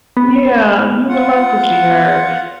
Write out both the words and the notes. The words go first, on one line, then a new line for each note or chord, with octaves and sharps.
Yeah, you would love to see her,
B3
F4 F#5